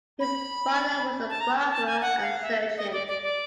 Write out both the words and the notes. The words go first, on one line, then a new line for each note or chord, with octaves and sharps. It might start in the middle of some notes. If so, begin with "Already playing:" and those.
His father was a barber and surgeon.
B5
A5
A#5
A5
G#5
F#5
F5
E5
D#5
D5
D5
D5